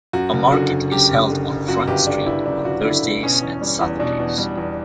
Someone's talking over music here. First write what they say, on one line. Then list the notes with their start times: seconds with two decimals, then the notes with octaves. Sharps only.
A market is held on Front Street on Thursdays and Saturdays.
0.13 F#2 F#4
0.33 F#1
0.52 D3 F#4
0.72 F#1
0.92 F#2 G4
1.10 F#1
1.30 D3
1.49 F#1
1.68 F#2 F#4
1.88 G1 G4
2.07 D3 D4
2.26 G1 E4
2.46 F#2 D4
2.64 G1 F#4
2.84 D3 E4
3.03 G1
3.23 B2 C#4
3.42 E2
3.61 G3
3.81 E2
4.00 B2 D4
4.20 E2
4.38 G3
4.58 E2